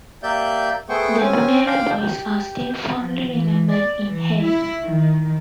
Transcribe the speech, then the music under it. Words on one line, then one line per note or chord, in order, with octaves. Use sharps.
The 'Dunera Boys' are still fondly remembered in Hay.
A#3 G4 D5 E5 G6
A3 B3 G#4 C5 G5 C#6
C4 C#4 G#5
D4 C5 D5 F5 G5
G4
F3
E3
D5
E3
E4
D#3